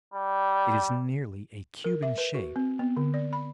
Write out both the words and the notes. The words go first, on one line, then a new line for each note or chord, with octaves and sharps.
It is nearly a cube in shape.
G3
A#4
E5
B4
F#4
C4
B3
D3
D5
B5